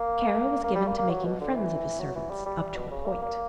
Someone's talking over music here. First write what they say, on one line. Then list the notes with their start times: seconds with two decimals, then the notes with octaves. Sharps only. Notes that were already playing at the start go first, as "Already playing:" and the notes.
Kara was given to making friends of his servants--up to a point.
Already playing: A#3
0.64 A#3
0.75 G3
0.87 A#3
0.98 A#3
1.10 F#3
1.25 B2
1.40 D3
1.55 E3
2.00 F#3
2.16 E3
2.31 G3
2.46 G3
2.61 G3
2.76 B2
2.91 C#3
3.06 A#3
3.22 A#3